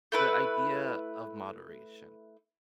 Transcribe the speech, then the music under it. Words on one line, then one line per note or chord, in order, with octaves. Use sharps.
the idea of moderation.
A3 E4 B4